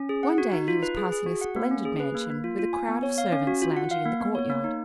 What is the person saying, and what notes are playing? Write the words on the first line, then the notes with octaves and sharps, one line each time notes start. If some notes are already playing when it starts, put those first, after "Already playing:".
One day he was passing a splendid mansion, with a crowd of servants lounging in the courtyard.
Already playing: C#4
G#4
F#5
F#4
D#4
F4
B4
G#4
G#4
F#4
F#5
A#3
C#4
G#4
B4
A#3
A#3
F4
F4
G#5
B3
C#5
F5
C#4
F#4
F4
F#5
F5
A#3
B3
C#5
A#3
D#4